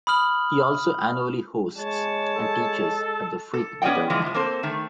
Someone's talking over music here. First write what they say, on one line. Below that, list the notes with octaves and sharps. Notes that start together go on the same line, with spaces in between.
He also annually hosts and teaches at the Freak Guitar Camp.
B5 D#6 F6 F#7
G#3 C#5 A5
A4
A4
B3 C#4 D5 D#5 F#5 G5
E3 F3 G#3 D#4
A2 F3
A#3 C4 A4 C5
D#3 A3